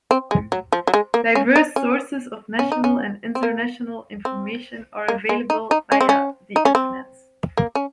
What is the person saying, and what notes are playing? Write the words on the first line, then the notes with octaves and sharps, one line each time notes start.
Diverse sources of national and international information are available via the Internet.
C4
G#3
F#3
F3
F#3
G#3
A#3
C#4
D#4
C#4
C#4
D#4
C#4
C4
A#3
C4
A#3
G#3
D#4
D#4
C#4
C4
C#4
D#4
C#4
C4
A#3
C#4